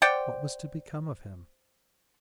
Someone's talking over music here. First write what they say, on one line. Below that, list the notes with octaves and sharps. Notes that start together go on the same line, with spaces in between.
What was to become of him?
C5 D5 F#5 G5